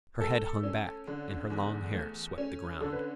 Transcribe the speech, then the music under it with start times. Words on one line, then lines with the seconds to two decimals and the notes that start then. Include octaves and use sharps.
Her head hung back, and her long hair swept the ground.
0.21 A3 A4
0.63 C#4
1.07 D3
1.50 E2
1.93 A3
2.38 C#4
2.80 D3 A4
2.92 B4